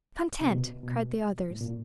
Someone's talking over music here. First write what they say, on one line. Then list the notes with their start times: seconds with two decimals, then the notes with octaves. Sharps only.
"Content," cried the others.
0.41 C3
0.50 B2
0.83 B2
1.51 A2
1.61 A#2